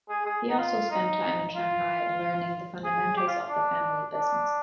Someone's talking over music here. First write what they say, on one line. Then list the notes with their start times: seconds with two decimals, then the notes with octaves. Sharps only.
He also spent time in Shanghai learning the fundamentals of the family business.
0.09 G#4
0.26 G#4
0.49 D#4
0.58 F4
0.90 D#4
1.55 F4
2.84 G#4
3.17 G4
3.27 F4
3.48 D4
4.13 D4